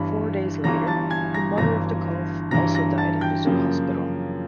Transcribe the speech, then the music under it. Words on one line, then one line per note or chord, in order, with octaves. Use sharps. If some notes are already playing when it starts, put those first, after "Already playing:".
Four days later, the mother of the calf also died in the zoo hospital.
Already playing: G1 G2 E3 B5
G1 G2 E3 A#5 A#6
A5 A6
G#5 G#6
A#5 A#6
G1 G2 E3 A#5 A#6
G1 G2 E3 A#5 A#6
A#5 A#6
A5 A6
G5 G6
F#2 C#3 F3 A#3